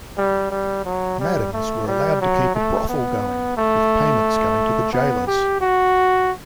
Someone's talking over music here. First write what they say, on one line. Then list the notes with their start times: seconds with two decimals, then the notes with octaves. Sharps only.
Madams were allowed to keep a brothel going, with payments going to the gaolers.
0.18 G3
0.51 G3
0.85 F#3
1.20 G3
1.53 A3
1.87 G3
2.21 F#3
2.55 A3
2.89 B3
3.57 A3
4.93 B3
5.27 G4
5.61 F#4